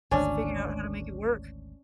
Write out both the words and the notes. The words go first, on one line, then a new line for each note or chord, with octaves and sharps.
just figure out how to make it work.
G#1 D2 C#4 D4